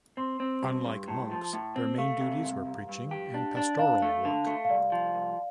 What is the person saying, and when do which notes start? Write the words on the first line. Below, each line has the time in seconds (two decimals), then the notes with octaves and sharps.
Unlike monks, their main duties were preaching and pastoral work.
0.17 C4 C6
0.40 C4
0.62 G2
0.85 G2
1.08 A2 A5
1.31 F3
1.53 A2
1.76 C4
1.98 A3 F5
2.20 C3
2.44 C2
2.66 C2
2.89 G2
3.11 G4
3.34 D4
3.57 D4
3.79 D4 F5
4.02 A3
4.25 D3
4.47 A3
4.65 F5
4.70 C2 D5
4.92 F3
5.15 C2